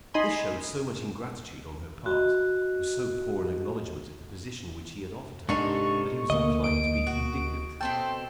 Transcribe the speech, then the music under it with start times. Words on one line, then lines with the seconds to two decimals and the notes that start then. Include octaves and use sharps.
This showed so much ingratitude on her part,--was so poor an acknowledgment of the position which he had offered her, that he was inclined to be indignant.
0.14 D#4 D#5 G#5 B5 C6
2.06 F#4 D#5
5.49 G#2 C3 D4 D#4 A4 A#4 C#6
6.30 D2 A#3 D#5
6.64 D7
7.07 F#4
7.81 B2 C4 A4 G5